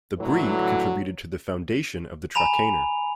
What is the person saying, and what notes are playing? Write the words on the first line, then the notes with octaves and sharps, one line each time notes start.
The breed contributed to the foundation of the Trakehner.
A2 D3 E3 F#3
G#5 A#5 B5 F7